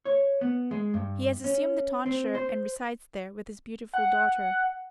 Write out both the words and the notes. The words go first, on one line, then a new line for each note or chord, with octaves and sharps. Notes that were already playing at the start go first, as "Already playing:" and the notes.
He has assumed the tonsure, and resides there with his beautiful daughter.
C#5
B3
G#3
G2
C#4
C4
C5
F#5